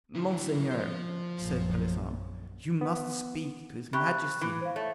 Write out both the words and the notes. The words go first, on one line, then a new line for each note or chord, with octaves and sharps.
"Monseigneur," said Pelisson, "you must speak to his majesty."
D3 E4
F3 C5
A#1 F#2
B3
C3 G4 B5 C#6 F#6
E3
C5 F5
A3 C#5